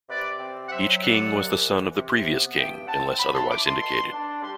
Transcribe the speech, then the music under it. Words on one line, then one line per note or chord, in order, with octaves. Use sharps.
Each king was a son of the previous king, unless otherwise indicated.
C3 B4 D5
C4
F#5
F#3 C5 E5
E5
C3 D5 F#5
C2
E3
C3
B3
G2 E5 G5
C4 F#5 A5
F#3 G5 B5
A5 C6
E4 B5 D6
A5 C6
B2 A5 C6
D4
G3 A5 C6